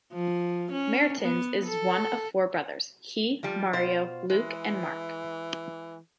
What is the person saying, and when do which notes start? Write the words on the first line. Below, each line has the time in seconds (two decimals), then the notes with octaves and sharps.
Maertens is one of four brothers: he, Mario, Luc and Marc.
0.13 F3
0.72 C#4
1.20 B3
1.66 A4
3.43 F3 G3
3.73 B2 F4 C5
4.30 E3 G#3